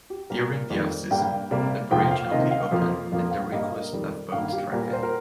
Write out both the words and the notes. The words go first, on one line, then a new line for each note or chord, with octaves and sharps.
During the off-season, the bridge only opened at the request of boat traffic.
G4
A#2 G3 A#3 A#4
F2 D#3 G3 A#3
G2 G3 A#3 G5
C3 G3 A#3
F2 C3 F3 A#3 G5
F5
C3 D#3 A#3 D#5
F5
F2 F3 A#3
F2 F3 A#3
F5
G2 G3 A#3 D#5
A#4
F2 D#3 G3
G2 D#3 A#3 F5
G4
A#2 G3 A#3 A#4
A#4
C5
A#4